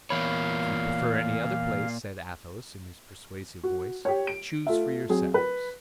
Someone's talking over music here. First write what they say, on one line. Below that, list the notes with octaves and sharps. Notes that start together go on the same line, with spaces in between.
"If you prefer any other place," said Athos, in his persuasive voice, "choose for yourselves."
E2 A#2 A#4 C#5 F5 B5
F#4
G4 C#5
D7
A3 F4 E5
F#3 C4 G#4
B4